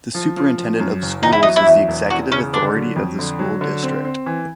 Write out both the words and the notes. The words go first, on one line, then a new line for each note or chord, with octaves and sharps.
The Superintendent of Schools is the executive authority of the school district.
F3
F3
F3
F#2
F#1
E2 D#4
E4
F#3 D#4
E4
E2
E1
E2 F#4
C#3 C#4
D3 D4
F#3
F2
D3
F#3
D3
C4
C4
E3